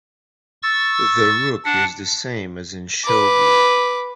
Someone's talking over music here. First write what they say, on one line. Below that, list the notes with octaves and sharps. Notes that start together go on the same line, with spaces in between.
The rook is the same as in shogi.
C#6 E6 A6
D4 F#5
B4 D6